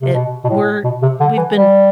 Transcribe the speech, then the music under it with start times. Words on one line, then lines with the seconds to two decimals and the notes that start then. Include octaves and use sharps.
it we're we've been f
0.01 C3
0.13 B2
0.44 B2
0.49 A2
0.84 B2
1.02 C3
1.20 D3
1.37 E3
1.55 G3